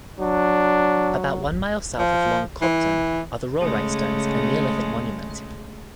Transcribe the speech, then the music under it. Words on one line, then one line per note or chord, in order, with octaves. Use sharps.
About one mile south of Long Compton are the Rollright Stones, a neolithic monument.
F#3 D4
F3
E3
C#3 G#3 A3